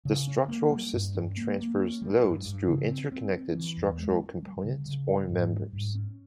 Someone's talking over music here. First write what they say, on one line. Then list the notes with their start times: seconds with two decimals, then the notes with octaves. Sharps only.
The structural system transfers loads through interconnected structural components or members.
0.05 C#3
0.27 C#4
0.48 A#3
0.71 G3
0.93 G2
1.15 C#4
1.37 A#3
1.58 A#3
1.80 C#4
2.02 G3
2.24 G2
2.45 G2
2.67 C#3
2.89 C4
3.12 C4
3.34 C4
3.55 E3
3.77 E2
3.98 G#3
4.20 C#4
4.43 G3
4.64 C#3
4.86 C#3
5.07 G3
5.29 G#2
5.51 G3
5.73 G#2
5.95 C#4